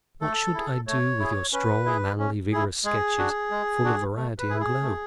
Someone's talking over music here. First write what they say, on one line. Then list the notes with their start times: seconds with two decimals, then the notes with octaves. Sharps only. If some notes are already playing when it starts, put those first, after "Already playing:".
What should I do with your strong, manly, vigorous sketches, full of variety and glow?
0.21 A3 A4
0.54 E4 G#4
0.87 A3 C#5
1.20 E4 G#4
1.53 C#4 B4
1.85 E4 G#4
2.19 C#4
2.52 E4 G#4
2.84 G#3 G#4
3.18 D4 F#4
3.51 G#3
3.84 D4 F#4
4.16 A3
4.38 B4
4.50 E4 G#4
4.60 G#4
4.82 A3